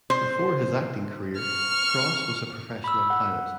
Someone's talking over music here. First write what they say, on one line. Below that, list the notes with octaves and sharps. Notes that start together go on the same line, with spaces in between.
Before his acting career, Cross was a professional pilot.
C5
C#6 F6
B5 E6
F#5